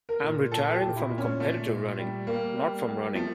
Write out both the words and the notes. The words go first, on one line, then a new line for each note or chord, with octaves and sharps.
I'm retiring from competitive running, not from running.
A#4
A#2
A#2 A4
A4
G4
A#2
E4
A#2
C#4
A#2 A3
A#2
G3
G3 A#3
G3
G3
F3 A3